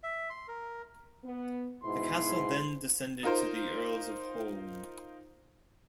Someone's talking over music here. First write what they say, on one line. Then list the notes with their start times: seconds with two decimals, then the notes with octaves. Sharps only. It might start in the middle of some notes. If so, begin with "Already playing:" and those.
The castle then descended to the Earls of Home.
0.03 E5
0.30 C6
0.48 A#4
1.23 B3
1.84 G#2 B2 E4 C6
3.23 D#4 F4 A#4 C5